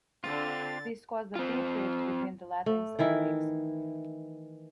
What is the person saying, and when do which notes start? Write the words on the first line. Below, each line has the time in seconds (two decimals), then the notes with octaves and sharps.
This caused a deep rift between the Latins and Greeks.
0.24 D3 C4 F4 A6
1.36 C4 F4
2.66 A3
2.99 D#3 E3 E4